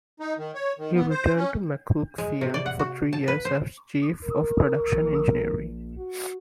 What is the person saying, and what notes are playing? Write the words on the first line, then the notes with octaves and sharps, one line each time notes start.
He returned to McCook Field for three years as chief of Production Engineering.
D#4
D#3
C#5
D#3
B3
C5
C#4
G#3
C3
D5
F#5
F#4
A5
B4
C5
A#4
A#1
F#4